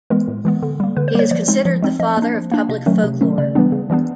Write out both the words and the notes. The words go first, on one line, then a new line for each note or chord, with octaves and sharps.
He is considered the Father of Public Folklore.
E3 G#3 B3 A#4
A2
E3 G#3 B3
D3
G3 A#3
D3 B4
C5
G3 A#3 C#5
F3 D5
G#3 C4 D#4
F3
G#3 C4 D#4
F3 D#5
A#3 D4
F3
A#3 D4
C3 D#5
D#3 F#3 A3 C#4
C3
D#3 F#3 A3 C#4
C#3 D5
E3 G3 B3 D4
C#3
E3 G3 B3 D4